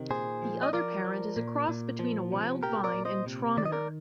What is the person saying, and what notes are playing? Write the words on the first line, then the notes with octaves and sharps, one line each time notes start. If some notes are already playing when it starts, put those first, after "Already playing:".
The other parent is a cross between a wild vine and Traminer.
Already playing: C3 D#3
A#2 G#4 C5
F3
D#5
F3 A#4 D5
F3
A#2
A#2
F3
C3
A#2 G4 A#4
A#4 D5
A#2
C5 D#5
C3
D#3 D5
D#5
A#4 D5